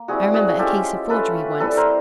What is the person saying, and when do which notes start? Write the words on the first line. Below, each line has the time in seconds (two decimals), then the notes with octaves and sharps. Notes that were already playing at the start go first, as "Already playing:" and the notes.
I remember a case of forgery once.
Already playing: A#3
0.08 G3 C4 E4 F#4 G#4
0.34 F#4 G#4
0.59 G#3 C#4 F4 G4 A4
1.09 A3 C#4 F4 A4 B4
1.60 G3 C4 E4 A4 B4
1.77 A#4 C5